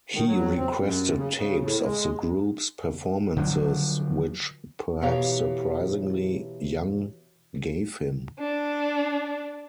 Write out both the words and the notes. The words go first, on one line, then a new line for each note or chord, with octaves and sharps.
He requested tapes of the group's performances which, perhaps surprisingly, Young gave him.
D#3
F#3
C4
F#2
C#3
C#3
A2
G#3
D3 F3 F#3 D4
B2 E3 G4 C#5 F5 A#5
D4